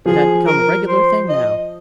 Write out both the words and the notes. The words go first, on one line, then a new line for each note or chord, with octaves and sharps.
It had become a regular thing now.
F3 G#4
A#4
C5
D#5